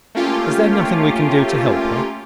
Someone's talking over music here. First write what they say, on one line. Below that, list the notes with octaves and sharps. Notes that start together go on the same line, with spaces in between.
"Is there nothing we can do to help her?"
A3 A#3 C#4 F4 G4